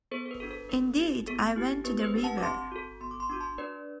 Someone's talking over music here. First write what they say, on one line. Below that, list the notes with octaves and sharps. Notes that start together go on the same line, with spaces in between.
Indeed, I went to the river.
B3 A4 C5
A4
B4
D4 F#4 A4
A4
B3 B4
E4 G4
B3 A4
E4 G4
B3 B4
C5
B4
D4 G4
F#5 A5
D6
C4 A5 C6
F#4 A4
B3 C6
D6
C6
D4 F#4 D6
A5 C6
D4 B4 D5